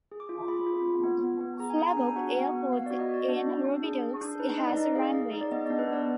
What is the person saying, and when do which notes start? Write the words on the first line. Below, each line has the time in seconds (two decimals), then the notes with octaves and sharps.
Flabob Airport in Rubidoux has a runway.
0.12 G#4
0.20 D6
0.29 F4
0.48 G#4 B5
0.66 F4
0.85 F4
1.04 B3
1.23 B3
1.41 B3
1.59 G#4 A#5
1.70 G#5
1.78 G#4 A#5
1.97 D4 G#5
2.16 F#4 F#5
2.35 B3
2.44 F#5
2.54 B3
2.71 B3 F5
2.86 D5
2.91 F#4
3.00 D#5
3.09 F#4 D5
3.28 D4
3.47 D4
3.65 D4
3.84 G#4
4.03 G#4
4.21 D4
4.39 D#4 B4
4.58 D#4 D#5
4.68 D5
4.77 D#4
4.95 G#4 F5
5.14 G#4
5.33 D#4
5.41 D5
5.52 B3 D#5
5.66 D5
5.70 D4
5.79 B4
5.88 B3 D5